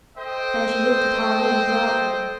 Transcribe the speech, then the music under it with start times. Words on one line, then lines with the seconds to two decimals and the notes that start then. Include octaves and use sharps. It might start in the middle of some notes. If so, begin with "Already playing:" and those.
Then she looked at Arline brightly.
0.18 A4 C5 D#5 G5